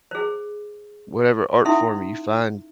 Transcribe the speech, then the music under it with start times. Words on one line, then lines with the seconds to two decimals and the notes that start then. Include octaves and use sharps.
whatever art form you find
0.11 G#4 C5
1.65 C#4 D#4 E4 A4 E5 C6